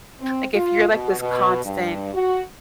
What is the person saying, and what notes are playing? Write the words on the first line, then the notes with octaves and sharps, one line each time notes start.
Like, if you're, like, this constant,
C4
F4
B2
B2
G2
F#4